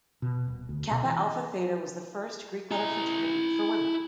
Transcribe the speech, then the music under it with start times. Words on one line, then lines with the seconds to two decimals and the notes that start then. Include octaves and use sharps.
Kappa Alpha Theta was the first Greek-letter fraternity for women.
0.22 B2
0.48 D#1
0.69 D2
0.91 B2
1.05 E3
2.71 E4 A#5